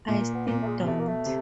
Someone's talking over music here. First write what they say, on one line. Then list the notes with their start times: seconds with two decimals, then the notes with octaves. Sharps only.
I still don't.
0.08 A#2 A3
0.21 A#3
0.35 B3
0.47 A#2 A#3
0.62 A3
0.67 G#3
0.82 C3
0.87 B2 A3
0.99 A#3
1.07 A3
1.26 C3